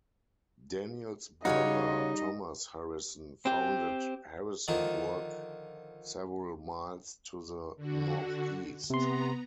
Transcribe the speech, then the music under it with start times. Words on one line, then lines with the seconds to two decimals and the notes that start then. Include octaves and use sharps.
Daniel's brother Thomas Harrison founded Harrisonburg several miles to the northeast.
1.45 C#3 G3 D#4 F#4 G#4 C#5 D#5 F5
3.46 C4 G4
4.68 D3 D#3 F3 D#4
7.77 D3 F#4
8.90 C3 B3 A#5 C6